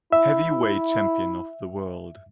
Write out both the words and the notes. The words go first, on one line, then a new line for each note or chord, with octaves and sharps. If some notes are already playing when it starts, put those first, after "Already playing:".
Heavyweight champion of the world.
E4 E5